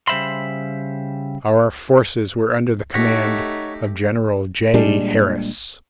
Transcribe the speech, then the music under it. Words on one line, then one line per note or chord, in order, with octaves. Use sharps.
Our forces were under the command of General J. Harris.
C#3 G3 C5 E5 B5 C6
A3 D#4 G4 C#5 F#5 A#6 B6
A#2 G3 G#3 D4